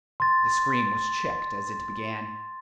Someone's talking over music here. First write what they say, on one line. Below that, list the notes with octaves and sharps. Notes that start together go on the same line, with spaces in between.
The scream was checked as it began.
C6 A6